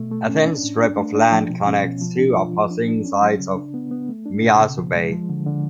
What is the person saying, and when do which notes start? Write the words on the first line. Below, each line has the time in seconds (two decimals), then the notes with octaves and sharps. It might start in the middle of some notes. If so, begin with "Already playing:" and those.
A thin strip of land connects two opposing sides of Miyazu Bay.
Already playing: B2 A3
0.11 A3
0.29 C#4
0.46 D4
0.64 A2
0.81 D4
0.98 A3
1.15 D4
1.32 F3
1.50 B2
1.67 C#4
1.84 B2
2.01 F3
2.19 D4
2.36 F4
2.53 F3
2.70 D4
2.88 D4
3.05 C#4
3.22 F#3
3.39 C#3
3.56 D4
3.74 B3
3.91 B3
4.09 A3
4.26 D4
4.43 B2
4.61 C#3
4.77 F3
4.95 G#3
5.12 F3
5.29 D3
5.47 D3